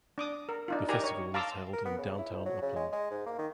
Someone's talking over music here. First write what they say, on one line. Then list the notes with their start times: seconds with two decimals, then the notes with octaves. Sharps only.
The festival is held in downtown Upland.
0.18 D4 D6 D#6
0.49 A#4
0.68 D4 D#4 F4
0.89 D#4 G4 A#4 D5 G#5 A#5
1.04 C#5
1.34 F5 A5 A#5 C6 D6 E6
1.73 A#4
1.85 B3
1.98 C#3
2.18 E4
2.31 F2
2.46 F#3
2.62 C#3
2.76 G#3
2.92 G#3
3.11 G#2
3.26 A#3
3.39 D#3